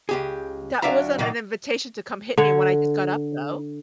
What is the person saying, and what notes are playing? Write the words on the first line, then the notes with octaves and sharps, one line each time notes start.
“That wasn't an invitation to come hit me when I just got up, though.”
C#2 G4 G#4
D2 F#3 D4 E5 F5 A#5
A#2 D#3 F#3 A#3
D3 C#5